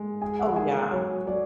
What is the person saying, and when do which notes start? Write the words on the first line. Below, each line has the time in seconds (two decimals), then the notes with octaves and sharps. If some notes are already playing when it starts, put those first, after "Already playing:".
Oh, yeah.
Already playing: G#3
0.22 G#4 G#5
0.39 F#5
0.56 G#4 G#5
0.91 F#3 C#5
1.26 F#3 D5